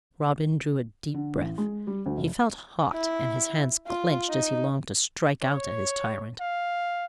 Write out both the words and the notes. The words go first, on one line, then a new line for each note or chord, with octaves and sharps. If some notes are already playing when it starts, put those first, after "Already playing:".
Robin drew a deep breath; he felt hot, and his hands clenched as he longed to strike out at his tyrant.
D3
A1
G#3
G3
D2
F1
E4
F4
D#4
C#5
F5